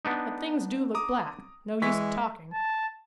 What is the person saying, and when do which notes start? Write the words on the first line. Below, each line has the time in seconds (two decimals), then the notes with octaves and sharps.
But things do look black, no use of talking.
0.05 B3 D4 D#4
0.95 A#5 D6 D#6
1.82 E3 G#3 C#6 B6
2.53 A5